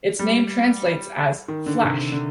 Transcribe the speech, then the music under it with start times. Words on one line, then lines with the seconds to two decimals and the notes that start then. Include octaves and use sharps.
Its name translates as "flash".
0.19 G3
1.48 D#3
1.66 D3
1.84 C3
2.12 D3